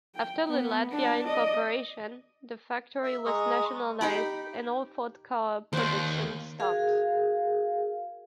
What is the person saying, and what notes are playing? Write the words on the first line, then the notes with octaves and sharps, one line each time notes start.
After the Latvia incorporation the factory was nationalised and all Ford car production stopped.
G5
B3 B4
D4 A5
D5 D#5
E5
G#3 A#5 C#6 D#6
D#4 G4 B5
D#2 C5 D5
F#4 G#4 A#4 F5